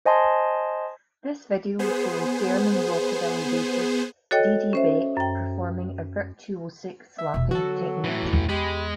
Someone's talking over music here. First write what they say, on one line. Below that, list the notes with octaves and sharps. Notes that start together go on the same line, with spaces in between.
This video shows German rockabilly bassist Didi Beck performing a virtuosic slapping technique.
C5 D#5 G#5 A5 C6
B3 G#4 C5
F#4 A4 C#5 D#5 G5
C#4 C5 E5
F#2 G5
E5
E1 B2
D3 F#3 B3 F#4 A4
A2 E3
E2 B3
G#3 G4 B5